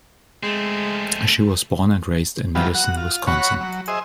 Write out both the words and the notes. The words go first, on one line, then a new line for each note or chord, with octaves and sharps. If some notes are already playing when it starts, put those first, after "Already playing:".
She was born and raised in Madison, Wisconsin.
G#3 A3 C4
E3 F#3 G3 B3 F4
F#4 F#5
F4
F#4 C#5 F#5 B5 C#6
F#3
G#4 C5 D#5 E5